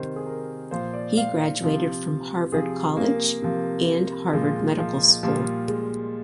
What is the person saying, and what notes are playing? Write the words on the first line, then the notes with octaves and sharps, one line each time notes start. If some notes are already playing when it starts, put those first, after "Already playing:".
He graduated from Harvard College and Harvard Medical School.
Already playing: C3 D#3 C5
G#4
A#4
A#2 F3 C5
D5
F5
F5
C3 F3
C3 F3 G#4
A#3
C3 F3
A#2 F3 G#3
F3
A#2 F3 G3
G#3